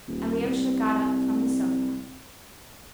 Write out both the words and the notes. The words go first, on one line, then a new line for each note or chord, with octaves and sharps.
Alyosha got up from the sofa.
D#1
C2